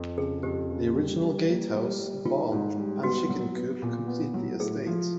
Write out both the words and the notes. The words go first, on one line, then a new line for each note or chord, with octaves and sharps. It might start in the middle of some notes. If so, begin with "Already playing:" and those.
The original gatehouse, barn and chicken coop complete the estate.
Already playing: F2
C#3 G#4
F2 G4
C#3
G3
G3
A#3
G3
G3
D#3 F4
G#2
G3
B3 F#4
F#3
B3
A#2
B3
F#3
A2 G#4
F3